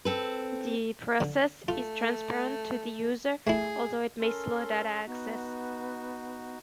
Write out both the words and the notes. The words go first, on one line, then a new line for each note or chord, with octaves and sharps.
The process is transparent to the user, although it may slow data access.
C4 A4 B4
D3
A3 F4
A3 E4 G#4
C#4 A4 A#4 C6
B3 D#4 F#4